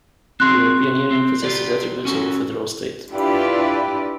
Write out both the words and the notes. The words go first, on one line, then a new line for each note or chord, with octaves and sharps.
The European Union possesses attributes of a federal state.
C4 F#4 G#4 C6 F#6
C4
F4 G4 D5
C#4 F#4 A4
D4 E4 F4 G4 B4 D5